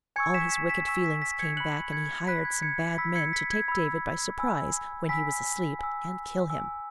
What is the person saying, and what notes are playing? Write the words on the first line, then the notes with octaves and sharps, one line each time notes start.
All his wicked feelings came back, and he hired some bad men to take David by surprise when he was asleep, and kill him.
G#5 C#6 E6 G#6 C#7
B6 E7
B6 E7
B6 E7
G#5 C#6 E6 B6 E7
B6
B6
G#6 C#7
B5 F#6 C#7 F#7
G#6 C#7
B5 F#6 B6
G#6
G#6 C#7
B5 E6 B6
G#6 C#7
B6
G#6
B5 E6
G#5 B5 E6
G#5 B5 E6 B6
G#5 E6
G#5 E6